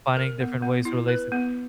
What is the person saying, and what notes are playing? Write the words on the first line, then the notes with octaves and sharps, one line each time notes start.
finding different ways to relate to
A#4
B3
B3
E4
B4
B3